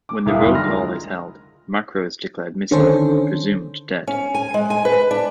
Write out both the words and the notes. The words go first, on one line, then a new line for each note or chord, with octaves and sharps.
When the roll-call is held, Macro is declared missing, presumed dead.
D6
D#1 C2 D#3 E4 F5 D#6
F#1 C2 D#3 B5
D3 C6 F6 A#6
F3 G#3 A#4
D3 D#3 C#4 A4 C5
C#4
G#5
G#3
G#5
B4
D4